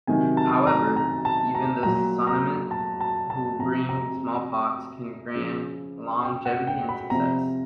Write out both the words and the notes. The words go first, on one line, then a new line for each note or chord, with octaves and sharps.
However, even the Sonnimne, who bring smallpox, can grant longevity and success.
C3 D#3 F#3 G#5
A5
A#5
A#5
A5
A#5
A#2 F#3 A#5
A#5
A5
A5
A5
C3 F3 A#5
A#5
C#3 F3
G5
F#5
G5
B5
C3 F3 A#5